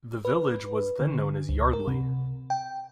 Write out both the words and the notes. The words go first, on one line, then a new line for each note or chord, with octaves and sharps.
The village was then known as Yardley.
B4
D3
C#2
A#4
C3
G5